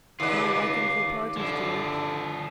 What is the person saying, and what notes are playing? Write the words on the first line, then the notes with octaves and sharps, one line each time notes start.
"My liking for parties, George."
D#2 D4 F4 B4
D3 F3 E4